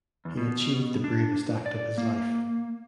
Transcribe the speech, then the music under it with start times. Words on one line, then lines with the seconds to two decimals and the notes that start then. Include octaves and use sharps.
He achieved the bravest act of his life.
0.25 E2
0.37 B2
1.04 D4
1.66 D5
1.98 A#3